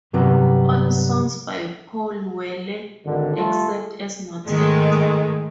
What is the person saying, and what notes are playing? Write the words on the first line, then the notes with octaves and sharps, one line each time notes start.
All songs by Paul Weller except as noted.
G2 C3 F#3 G3 B3
G#1 D3
G3 A3 F4 A4
G#2 D#3 G#3 A3